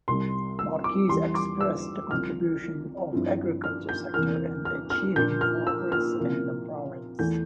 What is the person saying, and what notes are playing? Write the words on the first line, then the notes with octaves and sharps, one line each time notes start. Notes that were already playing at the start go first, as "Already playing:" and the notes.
Marquez expressed the contribution of agriculture sector in achieving progress in the province.
C2 C3 G3 C6
E6
D6
E2 E3 G3 C6
D6
E6
C2 C3 F3 F6
G2 F3 C4 E4
F6
G6
E2 C3 E3 A#3 F6
F6
F6
A#2 F3 A#3 D4 G6
F6
E6
F6
C3 F3 A#3 E4
E2 E3 A3 G6